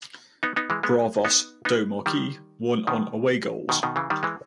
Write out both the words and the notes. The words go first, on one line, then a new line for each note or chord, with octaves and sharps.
Bravos do Maquis won on away goals.
B3 D#4
B3 D#4
E3 G#3
G#3 B3
B3 D#4
B3 D#4
D#3 G3
B2 D#3
B2 D#3
B2 D#3
C#3 E3
D#3 G3
E3 G#3